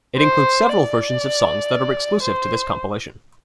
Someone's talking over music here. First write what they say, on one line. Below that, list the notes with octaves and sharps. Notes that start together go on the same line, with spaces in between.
It includes several versions of songs that are exclusive to this compilation.
C5
D5
C5